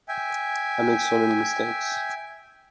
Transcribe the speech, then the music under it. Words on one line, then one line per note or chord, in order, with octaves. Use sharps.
I make so many mistakes.
E5 G5 G#5